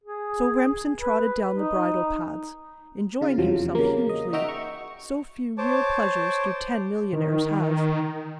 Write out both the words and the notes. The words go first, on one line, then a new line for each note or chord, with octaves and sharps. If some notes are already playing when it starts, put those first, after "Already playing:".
So Remsen trotted down the bridle paths, enjoying himself hugely, so few real pleasures do ten-millionaires have.
G#4
B4
D#4
C#3 F4
E2 C3 F3 F#3
C#3 A#3
D#5
D#4 F#4 E5 G5 A#5
C#6
C5 C#5 A5 D6
D#3